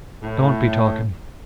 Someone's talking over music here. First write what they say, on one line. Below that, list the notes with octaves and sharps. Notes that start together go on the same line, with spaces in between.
Don't be talking!
A2